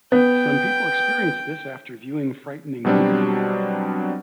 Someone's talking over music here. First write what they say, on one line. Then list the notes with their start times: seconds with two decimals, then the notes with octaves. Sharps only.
Some people experience this after viewing frightening media.
0.12 B3 G5
2.85 B2 F#3 G3 C4 D4